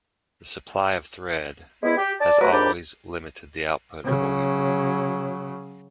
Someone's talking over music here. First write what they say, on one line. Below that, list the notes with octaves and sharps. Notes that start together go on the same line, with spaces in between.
The supply of thread has always limited the output of a weaver.
E2 G#3 B3 E4
G4
D5 A5
C3 F#3 A3 A#4 B4
D#2 G#2 D4 G4 D5 B5
C#3 F#3